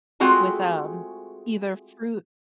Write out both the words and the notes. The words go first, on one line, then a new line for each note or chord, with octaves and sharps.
with, um, either fruit
G#3 A3 C4 F4 F#4 G#4